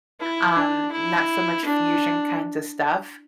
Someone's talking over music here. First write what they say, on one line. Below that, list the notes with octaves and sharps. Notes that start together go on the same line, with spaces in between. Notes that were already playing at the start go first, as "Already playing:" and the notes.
um, not so much fusion kinds of stuff,
E4
D4
E4
D4